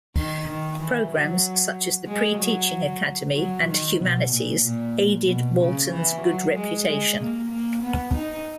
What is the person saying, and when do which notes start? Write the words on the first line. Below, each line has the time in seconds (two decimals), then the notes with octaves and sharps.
Programs such as the "Pre-Teaching Academy" and "Humanities" aided Walton's good reputation.
0.15 D#3
0.47 D#3
0.80 E3
1.11 F#3
2.07 G#3
2.39 F#3
3.35 F#3
3.67 D#3
3.99 B2
4.31 A#2
4.63 A#2
5.27 B2
5.59 C#3
5.90 E3
6.22 F#3
6.54 G#3
6.86 G#3
7.18 A#3
7.50 A#3
7.82 B3
8.15 D#4